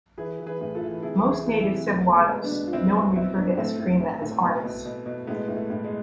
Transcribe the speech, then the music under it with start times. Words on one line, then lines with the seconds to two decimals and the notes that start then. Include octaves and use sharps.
Most native Cebuanos know and refer to Eskrima as "Arnis".
0.18 E3 G#4 B4
0.39 E3
0.46 G#4 B4
0.61 A2
0.75 F4 A4
0.82 E3
1.02 C3 E4 G#4
1.25 E3
1.31 E4 G#4
1.46 E3
1.60 E4 G#4
1.66 C3
1.87 B2 A3
2.09 B2
2.16 G#3 B3
2.31 B2
2.44 B3 D4
2.51 B2
2.67 F4
2.73 B2 C4 E4
2.94 B2 C4 E4
3.15 B2 C4 E4
3.36 B2 B3 D4
3.57 A2 A3 C4
3.79 A2
4.01 A2
4.22 A2
4.43 B2
4.64 B2
4.86 B2
5.06 B2
5.27 A2 G#3 B3
5.48 A2
5.56 A3
5.70 A2
5.84 G#3